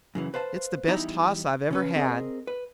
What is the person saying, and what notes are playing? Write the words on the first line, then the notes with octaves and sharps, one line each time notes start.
It's the best hoss I've ever had.'
F#2 C#3 E3
B4 C5 F5 A5
E2 G3 D#4 E4 E5 A#5
C#3 C#4 B4
C4 G#4 A#4 D#5
B4